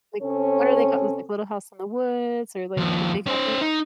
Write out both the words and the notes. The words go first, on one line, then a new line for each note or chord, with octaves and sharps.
Like, what are they called there's, like, Little House in the Woods or, like, The Big Hou
C3 C4 C#4 A4 C#5
D#2 F3
C#4 C5
D#4